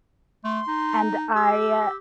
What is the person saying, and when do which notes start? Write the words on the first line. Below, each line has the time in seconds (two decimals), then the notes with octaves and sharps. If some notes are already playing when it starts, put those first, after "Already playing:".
and I
0.44 A3 C6
0.67 D#4
1.35 G4 E6